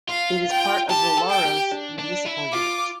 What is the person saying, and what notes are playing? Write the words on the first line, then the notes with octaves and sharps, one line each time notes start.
It is part of the Louros municipal unit.
F4 F5
G5
G4 A5
A4
G5
G4
D4
D4
E4
F4 D6